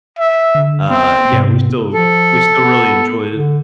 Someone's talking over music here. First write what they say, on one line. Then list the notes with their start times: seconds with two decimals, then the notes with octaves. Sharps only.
uh, yeah, we still we still really enjoy it.
0.19 E5
0.55 D3
0.90 B3 C4
1.32 G#2 C3 B3
1.93 F3 A4
2.60 B3
3.32 D3